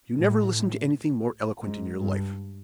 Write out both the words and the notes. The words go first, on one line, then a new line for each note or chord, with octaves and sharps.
You never listened to anything more eloquent in your life.
A2
G#2
G2